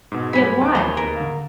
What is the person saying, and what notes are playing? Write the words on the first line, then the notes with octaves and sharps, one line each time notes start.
Yet why?
G#2 B2
G2 F#3 G3 G#5 B5
C2 G5 A5 D7
D#2 D#3 C5 G#5
D1 A#4 B4
D3 F5